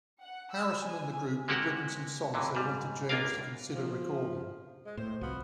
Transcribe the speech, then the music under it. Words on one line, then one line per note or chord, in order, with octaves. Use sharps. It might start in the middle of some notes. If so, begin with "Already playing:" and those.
Harrison and the group had written some songs they wanted James to consider recording.
F#5
E6
G#5
G#3 A#3 C4 F#4 G4 F#5
D#2 C3 E3
G#2 G3
C#2 A#3 D4 F4 A#4 F5
F3
G#3
A2 C5
C2 F3 B3 F#4